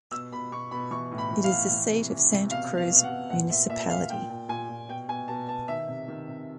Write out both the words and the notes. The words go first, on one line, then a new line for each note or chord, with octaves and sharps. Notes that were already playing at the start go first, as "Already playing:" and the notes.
It is the seat of Santa Cruz municipality.
B2 E6
B2 B5
B2 C#6
B2 B5
E3 C#6
A2
B5
E3
F5
A2
E3
C3
E3
C3
B2 F5
B2
F5
B2
F5
F#5
B2
A#2 F#5
A#2 E5
A#2 E5
A#2 F5
A#2 G5
A#2
A#2 G#5
A#2
B2 G5
B2 G#5
B2 A5
B2 A5
D#3 E5
C3
D#3
C3